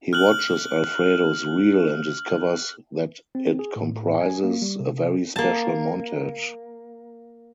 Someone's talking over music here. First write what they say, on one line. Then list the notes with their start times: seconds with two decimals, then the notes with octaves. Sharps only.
He watches Alfredo's reel and discovers that it comprises a very special montage.
0.13 F6 F#6 F#7
3.35 C4
3.59 G#4
3.76 A2
4.21 G#5
4.44 A#3
4.62 G3
4.80 C3
5.36 A#3 A5